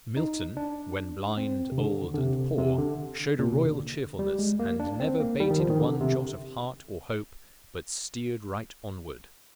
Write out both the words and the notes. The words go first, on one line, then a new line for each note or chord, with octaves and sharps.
Milton, when blind, old and poor, showed a royal cheerfulness and never "bated one jot of heart or hope, but steered right onward."
D#4
D4
C4
C3
D3
D3
C3
C3
D3
A#2
C3
D3
G3
G#3
A#3
D4
C4
A#3
G3
D#3
F3
D#3
D3
C3